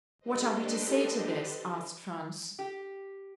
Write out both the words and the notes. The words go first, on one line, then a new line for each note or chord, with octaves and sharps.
"What are we to say to this?" asked Franz.
D4 G4 A4 B4 C5 D#5
G4